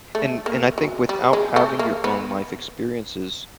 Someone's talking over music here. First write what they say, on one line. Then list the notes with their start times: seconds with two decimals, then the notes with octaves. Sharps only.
And and I think without having your own life experiences,
0.15 A3
0.46 A#3
0.78 F#3
1.09 G3
1.33 G#3
1.56 A3
1.79 A#3
2.04 B3